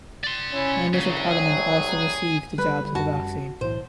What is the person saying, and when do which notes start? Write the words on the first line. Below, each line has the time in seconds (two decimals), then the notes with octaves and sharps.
Members of Parliament also received the jabs of the vaccine.
0.24 D5 C6
0.53 C#4 E4
0.93 C2 C#3 F#3
1.29 G#4
2.58 D3 G3 B4
2.95 F#2 F#4 A5
3.61 B1 A2 E3 C5